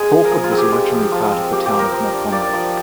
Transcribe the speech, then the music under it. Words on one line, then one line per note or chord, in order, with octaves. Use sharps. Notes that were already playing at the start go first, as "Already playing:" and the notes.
Crawford was originally part of the Town of Montgomery.
Already playing: G#3 G#4
F3
A#4
F3 G#4
F4
C4 G#4
G4
G#3
F3
F3 F4
C4
A#3 G4
G4
F3 C5
A#4
F3 C5
D4
A#3 D5
F3